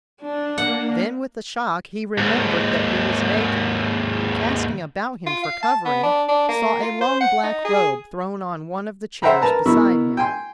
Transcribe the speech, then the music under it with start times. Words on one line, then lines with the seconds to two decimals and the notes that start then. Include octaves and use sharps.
Then with a shock he remembered that he was naked, and casting about him for covering, saw a long black robe thrown on one of the chairs beside him.
0.22 D4
0.58 A#3 F#5
2.18 D#2 G#2
5.27 F4
5.44 F5
5.63 A5
5.85 B3
6.03 D4
6.29 D4
6.49 A#3
6.83 F4
7.01 C5
7.21 F#5
7.43 D#4
7.65 G#4
9.22 C5 E5 F#5 G5 A#5 B5
9.41 A#4 B4 A5 A#5
9.66 B2 E4 A#4 B5 C#6 E6
10.17 G5 G#5 C6